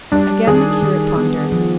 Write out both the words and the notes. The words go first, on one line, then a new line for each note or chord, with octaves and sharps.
Again the curate pondered.
G3 D4
D#3 G#4
D#3
B3
F3